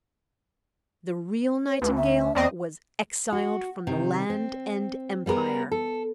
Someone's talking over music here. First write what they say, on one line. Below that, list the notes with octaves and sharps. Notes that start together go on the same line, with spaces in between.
The real Nightingale was exiled from the land and empire.
C#5
D2 B4
E5
E2 C4 D5 D#5
F#4
C3 D#3
C4
G3 B3 G#4 A#4
A4